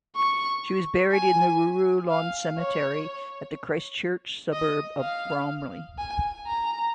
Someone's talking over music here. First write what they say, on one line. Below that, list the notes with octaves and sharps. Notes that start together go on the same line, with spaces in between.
She was buried at the Ruru Lawn Cemetery in the Christchurch suburb of Bromley.
C#6
G#5
F5
C#5
D#5
F5
G#5
A#5